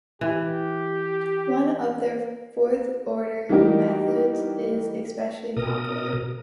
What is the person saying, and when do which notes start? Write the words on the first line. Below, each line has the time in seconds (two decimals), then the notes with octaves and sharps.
One of their fourth-order methods is especially popular.
0.21 E3 G4
3.49 E3 G3 D#4 F#4 G4 A#4
5.57 B2 A#4 D#6